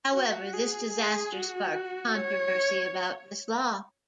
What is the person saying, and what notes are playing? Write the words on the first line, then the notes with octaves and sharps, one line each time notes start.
However, this disaster sparked controversy about this law.
F#4
G#4
G#4
F#4
C#5